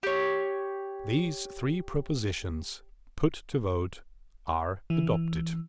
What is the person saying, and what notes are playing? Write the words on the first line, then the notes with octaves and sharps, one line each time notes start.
"These three propositions, put to vote, are adopted."
G4 C#5
E3